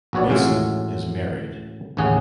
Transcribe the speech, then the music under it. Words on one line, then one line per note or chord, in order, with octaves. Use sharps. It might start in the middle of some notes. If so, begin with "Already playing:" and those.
Mason is married.
A#1 B3 F#4 C#5 D5
A1 A2 F#3 G#3 F4
A1 D#2 C#3 C#4 G#4 F#5